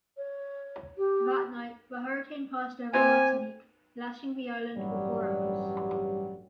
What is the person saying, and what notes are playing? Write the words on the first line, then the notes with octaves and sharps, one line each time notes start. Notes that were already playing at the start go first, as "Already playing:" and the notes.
That night, the hurricane passed over Martinique, lashing the island for four hours.
C#5
G4
C3 C4 G4 G#5
A1 G2 F#3 G3